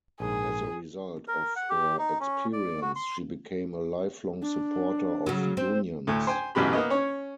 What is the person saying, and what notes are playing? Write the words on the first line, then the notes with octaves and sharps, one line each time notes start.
As a result of her experience, she became a lifelong supporter of unions.
A#1 G#2 G#4
A#4
F#5
G4
D#4
C#4
D5
F#4
C6
D4
C#3 F#3
C4 C5
D2 A2
C5 G5 G#5
A1 F#2 B2 G4 B5
A#3 B3 D#5
C#4 C#5